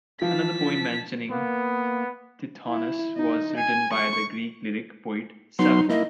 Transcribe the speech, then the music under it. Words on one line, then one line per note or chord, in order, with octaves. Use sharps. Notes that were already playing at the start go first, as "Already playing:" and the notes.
Another poem mentioning Tithonus was written by the Greek lyric poet Sappho.
E3 F3 F5 A5 B6
A#3 B3
E4
D#4
G#5
C#6
F#3 B3 D#4 C6
A#3 E4 D#5